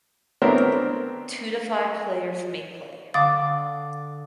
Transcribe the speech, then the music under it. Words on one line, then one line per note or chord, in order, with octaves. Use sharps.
Two to five players may play.
B3 C4 D4 E4 A#4 C#5
D3 F5 D6 D#6 A6